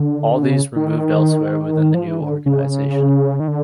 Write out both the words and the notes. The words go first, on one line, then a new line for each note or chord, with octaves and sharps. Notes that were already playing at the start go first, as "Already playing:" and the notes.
All these were moved elsewhere within the new organisation.
Already playing: D3
C#3
D#3
F3
E3
D3
C#3
D#3
D3